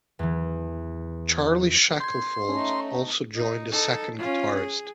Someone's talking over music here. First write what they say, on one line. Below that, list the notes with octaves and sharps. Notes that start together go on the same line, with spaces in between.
Charley Shackelford also joined as a second guitarist.
E2 E3
C6 G6 G#6
A3 C#4 D#4 C#5
D#4
D#4 A4
C#4 F4
G#4